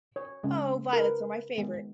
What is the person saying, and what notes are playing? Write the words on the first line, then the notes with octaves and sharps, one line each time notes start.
Oh violets are my favourite!
C#5
C#3 G#3 C#4
A#4
B4
D#3 G#3 B3